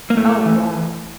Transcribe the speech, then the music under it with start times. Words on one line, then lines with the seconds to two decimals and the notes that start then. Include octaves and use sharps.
Oh, wow.
0.10 A#3
0.17 A2 A3
0.46 E3